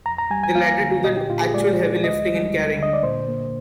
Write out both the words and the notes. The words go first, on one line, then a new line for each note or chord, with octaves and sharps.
The latter do the actual heavy lifting and carrying.
F2 A#5
A#5
G3 G#5
G#5
A#3 F5
D3
A#2 D#5
G4
A#2 F4
G#4
G#3 D5
G#3
D2 D#5
G3
D2
D3 D#5
D5
A#2 C5
A#3